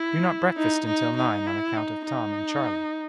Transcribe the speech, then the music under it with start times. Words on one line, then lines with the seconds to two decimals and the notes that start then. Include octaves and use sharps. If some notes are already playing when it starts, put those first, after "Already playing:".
We do not breakfast until nine, on account of Tom and Charley.
Already playing: E4
0.57 D#4
0.86 D#4
1.17 D#4
1.47 E4
1.77 D#4
2.06 D#4